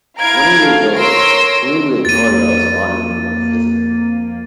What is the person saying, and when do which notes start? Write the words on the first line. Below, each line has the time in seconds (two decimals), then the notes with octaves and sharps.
Twenty years later, Queen Victoria also honoured him with a visit.
0.19 E4 F5 A#5 G#6 D7
0.56 A3 F5
0.94 A#4 C#5 C6 E6 A#6 D7
2.05 F2 A#3 A6 D#7